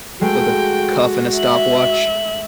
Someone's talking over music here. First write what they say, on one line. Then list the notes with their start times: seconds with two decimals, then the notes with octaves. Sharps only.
With a cuff and a stopwatch.
0.21 G#3 A3 F#4 G5
1.38 E5 F#7